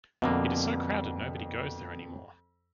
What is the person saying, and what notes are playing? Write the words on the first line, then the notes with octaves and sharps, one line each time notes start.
It's so crowded nobody goes there anymore.
F2 B2 D3 A#3